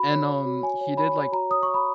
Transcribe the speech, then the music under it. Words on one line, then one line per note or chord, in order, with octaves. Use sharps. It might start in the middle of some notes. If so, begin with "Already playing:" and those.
And, um, he did like
Already playing: F#4 B5
C#5
C#5
F#4
C#5 G#5
C#5
C#5 B5
C#5
F#4 A#5
C#5 D#6
C#5 C#6
B5